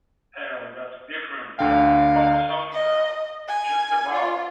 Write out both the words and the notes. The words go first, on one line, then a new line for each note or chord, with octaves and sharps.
Hell, that's different-that's a pop song now, just about.
D2 D3 F5 G5
D#5
G#5
F4